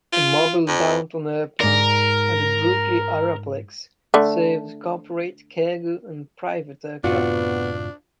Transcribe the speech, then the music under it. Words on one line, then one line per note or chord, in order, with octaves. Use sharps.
The Mobile Downtown Airport at the Brookley Aeroplex serves corporate, cargo, and private aircraft.
F4
F2
G#2 A#4 D5
D3 A3
F#2 A2 C3 B3 D4 F4 F#4